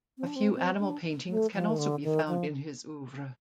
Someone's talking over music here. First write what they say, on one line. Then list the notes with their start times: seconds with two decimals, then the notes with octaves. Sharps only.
A few animal paintings can also be found in his oeuvre.
0.18 C4
0.27 D4
0.36 C4
0.55 C4
0.79 D4
1.29 A3
1.54 F3
1.69 D#3
1.78 D3
2.03 D#3
2.28 F3